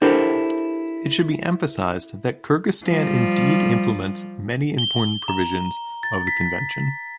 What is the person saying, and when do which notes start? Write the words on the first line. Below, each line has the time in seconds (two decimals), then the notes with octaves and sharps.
It should be emphasized that Kyrgyzstan indeed implements many important provisions of the Convention.
0.02 D4 E4 G4 A4 A#4 C5
2.84 F3 G3
4.78 G7
5.28 A#5
6.03 A6
6.27 B6